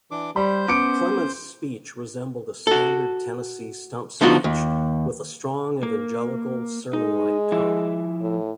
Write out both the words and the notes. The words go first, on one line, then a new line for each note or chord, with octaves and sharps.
Clement's speech resembled a standard Tennessee stump speech, with a strong evangelical, sermon-like tone.
E3 D4 D6
G3 C5 B5 G6
B3 C#4 D6 C#7 D7
F#4 A4
D3 F3 B3 D#4 F4 F#4
D#2
A#3
G#3 D#4
F3 E4 E5
A2